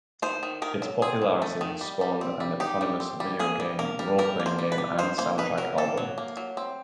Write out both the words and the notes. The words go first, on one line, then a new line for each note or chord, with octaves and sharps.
Its popularity has spawned an eponymous video game, roleplaying game, and soundtrack album.
D#3 C5
D#3
D#3 A#4
F#3
C4 G#4
D#3
A3
D#3
G3
G3
C4
G3
D#4 G4
G3
C4
G3
A#3 G#4
G3
A#3 A#4
G3 A#4
G3 A#4
A#3
C5
G3
B4
G3
D#3 C5
A#3 C5
D#3 B4
F#3 A#4
A#3 A4
F#3
A#3
F#3
C4